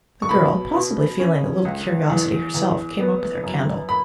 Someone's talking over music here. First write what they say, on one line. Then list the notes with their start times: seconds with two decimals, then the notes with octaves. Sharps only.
The girl, possibly feeling a little curiosity herself, came up with her candle.
0.22 C#6
0.29 B2 B5
0.74 B2
1.19 C#4
1.65 C#2
2.10 E2
2.54 E2
3.00 B3
3.44 F#2
3.89 B5